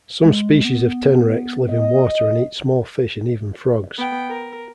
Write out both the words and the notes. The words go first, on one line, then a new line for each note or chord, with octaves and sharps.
Some species of tenrecs live in water and eat small fish and even frogs.
G#3
B3
D#5
B3 G5
A#4